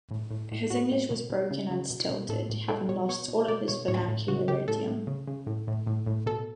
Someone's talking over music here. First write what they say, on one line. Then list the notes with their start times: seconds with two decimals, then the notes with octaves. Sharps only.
His English was broken and stilted, having lost all his vernacular idiom.
0.11 A2
0.31 A2
0.52 A2
0.70 A2 F#4
0.91 A2
1.11 B2
1.30 B2
1.51 C#3
1.70 C#3
1.90 B2
2.10 B2
2.29 A2 A4
2.50 A2
2.69 B2 A4
2.89 B2 C#5
3.09 B2 C#5
3.28 B2
3.48 B2 D5
3.68 B2 C#5
3.88 A2 C#5
4.08 A2
4.28 C#3 F#4
4.48 C#3 G4
4.68 A2 A4
4.87 A2
5.07 C#3
5.27 C#3
5.47 A2
5.67 A2
5.87 A2
6.06 A2
6.26 B2 A4